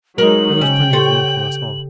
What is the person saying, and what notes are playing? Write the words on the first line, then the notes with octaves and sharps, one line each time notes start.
There was plenty of room for us all.
F#3 G#3 D#4 A#4 F#7
C#3 C#4 G5
G4 A4 C#5 C6